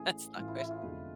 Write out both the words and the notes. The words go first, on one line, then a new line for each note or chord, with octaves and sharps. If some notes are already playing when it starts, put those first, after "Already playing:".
that's not good.
Already playing: A1 A2 E3 G#4
A1 A2 E3 F4
E4
E4
F4
F1 E2 D3 G#3 B4